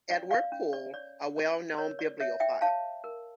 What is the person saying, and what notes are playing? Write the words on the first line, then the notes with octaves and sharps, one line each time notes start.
Edward Poole, a well-known bibliophile.
C#4 D5
D5 F5
C#4
D5
C#5 D5
C#4
A#4 C#5
D5
C#5 E5
E5 G5
C#5 F5 A5
A#4